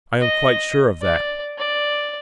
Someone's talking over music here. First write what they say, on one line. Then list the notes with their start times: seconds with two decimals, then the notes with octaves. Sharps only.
I am quite sure of that.
0.21 D#5
1.02 D5
1.58 D5